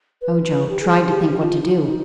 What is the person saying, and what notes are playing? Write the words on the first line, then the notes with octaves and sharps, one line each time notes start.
Ojo tried to think what to do.
B4
G4
G#4
G4
G4
F4
D#4
F4
D#4